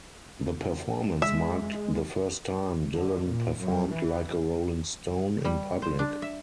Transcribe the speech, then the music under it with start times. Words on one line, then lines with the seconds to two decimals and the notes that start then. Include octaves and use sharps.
The performance marked the first time Dylan performed "Like a Rolling Stone" in public.
1.22 G#3 E5
2.94 D3
3.26 A#2
3.58 F#2
3.90 E3
5.45 G3
5.82 C5
5.99 D4
6.22 E5